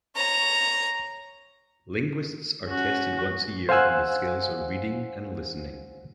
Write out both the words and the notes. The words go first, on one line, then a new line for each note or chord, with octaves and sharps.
Linguists are tested once a year in the skills of reading and listening.
C#5 A#5
C#4 F#4
C5 F5 F#5 G#5 E6 F#6